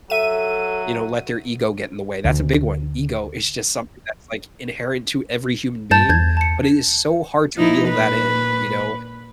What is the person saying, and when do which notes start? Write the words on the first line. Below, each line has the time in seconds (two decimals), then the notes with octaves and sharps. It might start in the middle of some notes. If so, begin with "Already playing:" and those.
you know, let their ego get in the way. That's a big one. Ego is just something that's, like, inherent to every human being, but, it is so hard to reel that in, you know,
0.10 F#3 A4 E5 D#7
2.25 D2
5.91 G2 A5 G6 A6
6.09 E2 G6 G#6
6.37 A5 C#7
7.56 F3 D#4 E4
7.87 A#2 B4